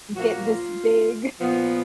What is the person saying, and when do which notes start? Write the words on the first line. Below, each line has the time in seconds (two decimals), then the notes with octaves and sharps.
get this big,
0.14 A#2 F3 A#3 F#4
0.46 F4
1.40 A#2 F3 B3